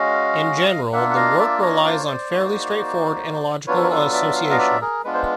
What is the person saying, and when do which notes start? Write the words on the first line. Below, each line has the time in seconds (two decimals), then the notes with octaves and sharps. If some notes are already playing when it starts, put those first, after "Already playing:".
In general, the work relies on fairly straightforward analogical association.
Already playing: G#3 C#4 F#4 D#5 F5
0.93 A#3 D4 F4 E5 F#5
1.10 F#5
1.16 D#5 F5
1.39 D5 E5
1.62 C#5 D#5
1.85 C5 D5
1.98 C#5
2.07 C5 D5
2.30 A#3 D#4 F#4
3.67 F#3 B3 D4 F4 B4 C#5
3.76 A4
3.83 A#4
3.90 A4 B4
4.13 D5 E5
4.36 F5
4.44 E5
4.50 D#5 F5
4.58 D5 E5
4.81 G#4 A#4
5.04 G#3 B3 D4 F4 B4
5.14 C5